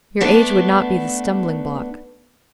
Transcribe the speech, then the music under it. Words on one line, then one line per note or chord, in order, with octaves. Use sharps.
"Your age would not be the stumbling block."
A3 B3 D4